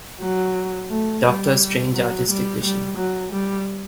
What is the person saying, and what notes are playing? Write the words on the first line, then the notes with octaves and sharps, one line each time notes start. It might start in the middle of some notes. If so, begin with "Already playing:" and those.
Doctor's strange artistic vision.
F#3
A3
G3
F#3
G3
G3
F#3
G3